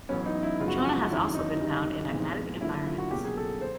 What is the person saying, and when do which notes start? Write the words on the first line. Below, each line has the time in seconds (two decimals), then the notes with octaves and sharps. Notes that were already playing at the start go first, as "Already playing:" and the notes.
Trona has also been found in magmatic environments.
0.09 A1 A2 F#3 B3 C#4
0.26 D#4
0.43 E4
0.60 F#2 C#3 F3 G#3 B3 F4
0.68 F#4
0.75 F4
1.10 F1 D#2 C#3 F#3 E4
1.35 D#4
1.60 F#2 D#3 G3
2.11 C2 A#2 F3 G#3 B3
2.52 F4
2.61 G2 D3 F#3 A#3 E4
2.74 E4
2.87 F4
2.98 F#4
3.11 C#2 B2 F#3 A#3 G4
3.24 G#4
3.37 A4
3.61 C5